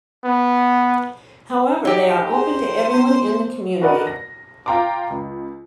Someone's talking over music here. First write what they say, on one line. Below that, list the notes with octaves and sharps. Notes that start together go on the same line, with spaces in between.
However, they are open to everyone in the community.
B3
D#4 G4 E6
G#4 C5 G5 G#5
B3 C6
F#4 A#4 B4 D5 D#5 F#5
A#6
F4 F5 G5 A#5 C6 D6
C#2